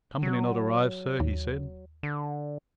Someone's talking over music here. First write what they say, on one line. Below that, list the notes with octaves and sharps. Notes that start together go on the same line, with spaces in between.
"Company not arrived, sir," he said.
F#3
D#2
D3